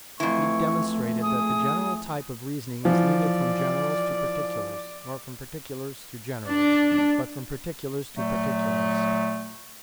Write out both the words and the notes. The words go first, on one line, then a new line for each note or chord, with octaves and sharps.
He demonstrated that the general type of reasoning is neither from generals to particulars, nor from particulars to generals, but from particulars to particulars.
F2 E3 A3 C#6
G#4 D#6
E3 F3 D5
D4
A#2 F#3 A3